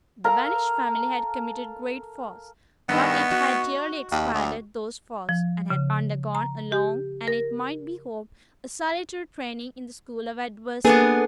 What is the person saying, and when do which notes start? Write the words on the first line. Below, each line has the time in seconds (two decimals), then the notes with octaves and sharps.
The banished family had committed great faults; but it had dearly expiated those faults, and had undergone a long, and, it might be hoped, a salutary training in the school of adversity.
0.24 A4 A#4 F5 A#5
2.89 G2 D#3 B3
3.31 F#4
4.12 D#2
4.34 D2
5.29 F3
5.70 C#3
6.35 A#5
6.72 G4
7.28 A#4
10.85 A#3 B3 D4 G#4 A4 B4